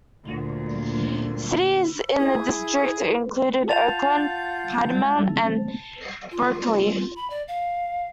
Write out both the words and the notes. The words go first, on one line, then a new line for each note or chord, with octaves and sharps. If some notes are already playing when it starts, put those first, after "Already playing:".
Cities in the district included Oakland, Piedmont and Berkeley.
D2 A#2
E4 G#4
F4 F#5 A5 G6 A6 F7
F4
B5
D5
F5